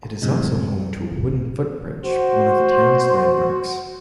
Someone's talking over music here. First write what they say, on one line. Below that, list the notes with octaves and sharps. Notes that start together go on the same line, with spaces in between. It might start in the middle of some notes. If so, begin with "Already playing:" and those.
It is also home to a wooden foot bridge, one of the towns landmarks.
F#2 A2 C3 G#3
F#4 C5